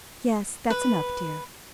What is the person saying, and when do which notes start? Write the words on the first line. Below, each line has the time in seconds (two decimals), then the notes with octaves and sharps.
"Yes, that's enough, dear."
0.70 B4